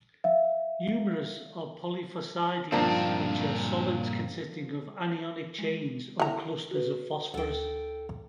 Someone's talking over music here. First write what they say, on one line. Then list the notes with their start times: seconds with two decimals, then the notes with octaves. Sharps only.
Numerous are polyphosphides, which are solids consisting of anionic chains or clusters of phosphorus.
0.24 E5 F5
2.72 G2 A#2 D#3 F3 A#3 C4 D4
5.59 G#3
6.20 E3 A#5
6.71 F#4 B4
7.34 D2 A4 G5